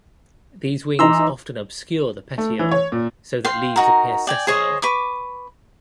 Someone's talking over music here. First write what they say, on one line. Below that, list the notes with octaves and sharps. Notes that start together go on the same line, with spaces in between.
These wings often obscure the petiole so that leaves appear sessile.
E3 D#4 A#5 C6 E6
A3
E3
C#5
A#2
F5 G5 C6
D#4 F#4 A#4
D5 G5 G#5
G#4 C5 C#5 D#5
B4 C#6 D6